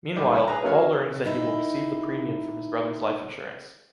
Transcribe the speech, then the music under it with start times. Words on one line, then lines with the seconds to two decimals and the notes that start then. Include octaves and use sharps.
Meanwhile, Paul learns that he will receive the premium from his brother’s life insurance.
0.16 B1 G3
0.34 C#5 G5 G#5 B5 C#6
0.48 G#4 B4 A#5
0.63 F#3 A#3 C#4 C#5 F5
1.24 D#3 D#4 E4